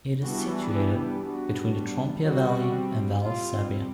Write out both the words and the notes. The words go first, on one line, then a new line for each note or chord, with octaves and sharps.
It is situated between the Trompia valley and Val Sabbia.
E3 G3 B3 D4 F#4
G4
G3 B3 D4 F#4
G3 C4 F#4
G3 C4 F4